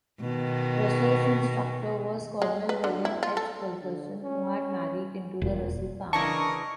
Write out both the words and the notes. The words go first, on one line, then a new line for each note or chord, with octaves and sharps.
Russell's instructor was Colonel William H. Fulkerson, who had married into the Russell family.
B2 D#3
G#3
B4
D3
E4
F4
A4
D3
C#4
E1 A#2
C#3 E3 D4 A#4 D#5 A5 C#6